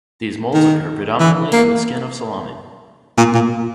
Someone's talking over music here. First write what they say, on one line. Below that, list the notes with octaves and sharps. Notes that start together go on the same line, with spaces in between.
These molds occur predominantly in the skin of salami.
D#3
E3
A#3
A#2
A#2